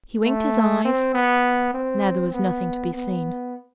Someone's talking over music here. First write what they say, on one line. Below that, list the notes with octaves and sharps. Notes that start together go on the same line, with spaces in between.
He winked his eyes; now there was nothing to be seen.
A3
C4
B3
C4
B3
B3